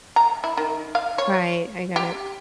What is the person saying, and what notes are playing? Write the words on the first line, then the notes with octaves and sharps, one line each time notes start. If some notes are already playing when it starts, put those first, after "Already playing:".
Right, I get it.
A#5
E4
D#3
F5
C#5
G4